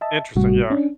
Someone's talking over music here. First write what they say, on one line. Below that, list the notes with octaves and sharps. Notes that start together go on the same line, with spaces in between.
Interesting, yeah.
D#5 E5 A5
G#1 A2 C3 G3 F#4
C#4 D4